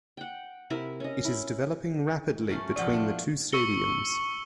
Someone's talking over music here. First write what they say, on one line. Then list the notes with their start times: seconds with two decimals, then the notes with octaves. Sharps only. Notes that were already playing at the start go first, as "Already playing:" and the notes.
It is developing rapidly between the two stadiums.
0.17 F#5 G5
0.70 C3 E4 A#4
1.00 C#4 D#5
1.25 E4
2.49 F#2 A3 C#4
2.76 C3 F3 A3 D5 F#5
2.93 D4
3.53 C#6 E6 C#7 G7